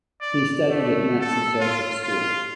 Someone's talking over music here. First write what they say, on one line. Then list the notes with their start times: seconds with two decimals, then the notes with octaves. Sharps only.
He studied at Mount St Joseph School.
0.21 D5
0.70 A3
1.20 A4
1.60 F4
2.03 F4